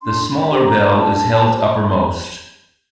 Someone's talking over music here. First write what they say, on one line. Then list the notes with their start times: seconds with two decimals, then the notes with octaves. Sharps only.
The smaller bell is held uppermost.
0.02 D4 C6
0.33 B5
0.49 G4 C5
0.65 A#5
0.96 D4 A5
1.43 G4 C5